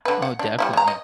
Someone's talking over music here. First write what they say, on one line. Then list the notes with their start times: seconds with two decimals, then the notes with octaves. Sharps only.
Oh, definitely.
0.05 D3 B4
0.22 F#5
0.39 D4
0.59 G3 C#4 E4
0.73 G#3 A#5
0.88 D#5